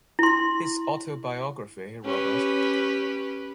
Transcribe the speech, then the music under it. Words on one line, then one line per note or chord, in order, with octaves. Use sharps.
His autobiography Robert.
E4 C6
C#4 G4 B4